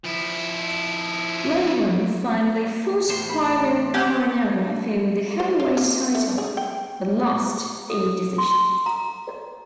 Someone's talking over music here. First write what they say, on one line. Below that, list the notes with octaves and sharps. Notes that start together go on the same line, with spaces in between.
Loughran finally fought Primo Carnera for the heavyweight title but lost a decision.
F3 E4
E2 A2 C5
B5
G4 E5 F#5 G#5
C5
F4
A#3
A3
G#4
G5
A4
C6
A#5